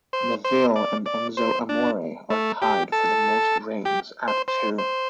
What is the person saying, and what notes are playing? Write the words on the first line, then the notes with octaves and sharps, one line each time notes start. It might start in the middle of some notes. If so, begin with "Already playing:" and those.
Neville and Enzo Amore are tied for the most reigns at two.
C5
C5
D5
D5
C5
D4
A3
G4
A4
G4
C5
C5
C5